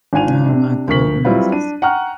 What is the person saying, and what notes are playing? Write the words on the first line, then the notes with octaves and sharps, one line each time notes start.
Oh my goodness.
G#1 D4 F4 G#5 D#7 F7
C3 D4
D2 F3 A#4 C#6 B6 F#7
F#3 G3 C4 E4 F4 B4
D4 D#7
F#5 G5 A#5 C#6 F6 F#6